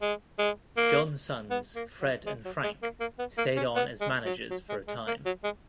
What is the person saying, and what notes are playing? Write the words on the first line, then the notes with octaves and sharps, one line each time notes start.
John's sons, Fred and Frank stayed on as managers for a time.
G#3
G#3
A#3
B3
A#3
F#3
G#3
F#3
G#3
A#3
A#3
B3
A#3
C#4
B3
G#3
F#3
F#3
G#3
G#3
A#3
F#3
G#3